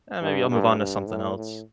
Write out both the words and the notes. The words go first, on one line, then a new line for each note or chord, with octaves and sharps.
"Eh, maybe I'll move on to something else."
G2
G2
G2
A2
A2